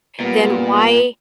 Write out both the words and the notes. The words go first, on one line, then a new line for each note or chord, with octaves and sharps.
then why
A#2 G3 B3